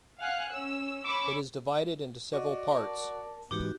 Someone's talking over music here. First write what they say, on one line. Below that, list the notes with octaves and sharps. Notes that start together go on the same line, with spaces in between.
It is divided into several parts.
F5 F#5 G#5 F6 F#6
C#4 E6
C#4 B5 C#6 D6 E6
F#4 D5 D#5
A#4 A5
G#2 E3 G#3 B3 D#4 F#4 G4 D6